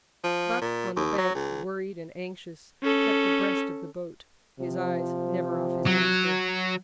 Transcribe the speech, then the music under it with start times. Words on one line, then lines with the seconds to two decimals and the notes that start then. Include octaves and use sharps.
Buck, on the bank, worried and anxious, kept abreast of the boat, his eyes never off his master.
0.24 F3
0.62 A#2
0.96 D#2
1.18 F#3
1.35 C#2
2.83 C#4 A4
4.60 C3 F3
5.86 F#3